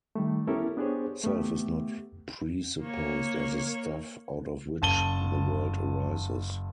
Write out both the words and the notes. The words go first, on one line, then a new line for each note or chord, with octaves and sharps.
Self is not presupposed as a stuff out of which the world arises.
D#3 G3 A3
B3 C#4 E4 G4 A4 A#4
B3 D4 G4 G#4 C5 C#5
A3 B3 G4
A#3 C#5
F#1 A5 D#7 G7